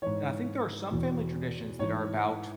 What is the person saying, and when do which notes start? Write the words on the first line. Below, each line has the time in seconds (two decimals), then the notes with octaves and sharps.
And I think there are some family traditions that are about
0.02 G#2 E3 C#5
0.91 E2 B2
1.79 G#2 E3 C#5